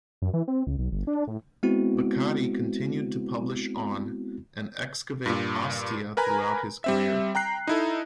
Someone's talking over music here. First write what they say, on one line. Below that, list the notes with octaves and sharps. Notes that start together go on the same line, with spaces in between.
Becatti continued to publish on and excavate Ostia throughout his career.
F#2
E3
C4
C#2
B1
G1
D4
A2
G#3 B3 C4 E4 F#4
G2 A#2
A#4 B4 G#5 A#5 B5
G3 C4 E5
G5 A#5 F#6 C7
D#4 E4 A4